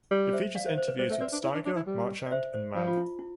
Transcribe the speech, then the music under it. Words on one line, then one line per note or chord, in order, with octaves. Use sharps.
It features interviews with Steiger, Marchand and Mann.
G3
C5 E5
D5 F5
C5 E5
C5
B4
G3 C5
A3 E5
C4 B4 D5
D4
E4
D4
D4
E4
G3
D5
C5 E5
C5
F3 F4
F4
E4
E4